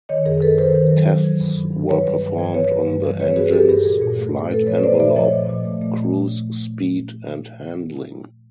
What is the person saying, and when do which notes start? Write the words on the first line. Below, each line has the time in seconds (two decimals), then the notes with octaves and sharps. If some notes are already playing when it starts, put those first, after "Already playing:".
Tests were performed on the engines' flight envelope, cruise speed, and handling.
0.09 D#3 C#5 D#5
0.25 F#2 G#4 A#4
0.42 F#2 A4 B4
0.58 D#3 A#4 C5
0.75 D#3
0.91 F#3
1.08 F#3
1.24 E3
1.40 G2
1.57 G2
1.73 G2
1.89 G3 B4 C#5
2.06 G2
2.22 G2
2.38 E3
2.54 G2 B4 C#5
2.71 G2
2.88 G3
3.04 E3
3.20 E3 B4 C#5
3.36 G2 F#4 G#4
3.53 G2 G4 A4
3.69 G2 G#4 A#4
3.85 A#2 G#4 A#4
4.02 A#2
4.18 A3
4.34 A#2
4.50 A3 A4 B4
4.67 F3 B4 C#5
4.84 A#2 C5 D5
5.00 A#2 D5 E5
5.16 F3 C#5 D#5
5.33 A#2
5.49 A#2
5.65 A3
5.81 A3